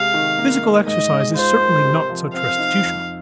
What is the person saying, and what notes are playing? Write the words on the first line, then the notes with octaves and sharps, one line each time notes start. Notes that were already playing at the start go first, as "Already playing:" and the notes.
Physical exercise is certainly not such restitution.
Already playing: C3 G#3 F5
D#3
A#3
D#4
G#2 D#5
G#3
F4 C5
A#4
C3
F3
C4 F5
D#4
F2